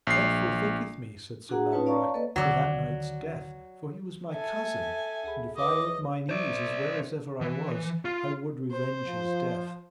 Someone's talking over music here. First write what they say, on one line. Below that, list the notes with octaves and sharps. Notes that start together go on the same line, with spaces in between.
That forthinketh me, said Sir Lamorak, for that knight's death, for he was my cousin; and if I were at mine ease as well as ever I was, I would revenge his death.
A#1 C7
D4 F#4 G#4 F#5 A#5
C#4 D#4 F4 B4 C#5 A5
C#5 D5 F5 A5 A#5 C#6
A#3 A4 B4 D5 D#5
D2 D3 D#3 F#3 D5
A4 E5 G#5
D2 G#4 B5
B4 C#5 D#5 E5 D6
C5 D5
E3
F4
C5
F3